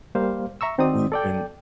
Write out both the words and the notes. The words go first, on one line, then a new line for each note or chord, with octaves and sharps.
we've been
G3 A#3 C5 F5
E5 A#5 C#6 E6
D#3 C4 D#4 F#4 D5 D#6
A4 D5 G5